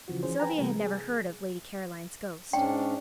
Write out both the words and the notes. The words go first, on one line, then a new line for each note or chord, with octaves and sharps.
Sylvia had never heard of Lady Caroline's ghost.
C#3 E3 F3 F#4
E3 C#4 G#4 C5
B4 G5 G#5 A#5
C3 E3 G3 A3 A#3
G#4
G#2 C#4 D4 G5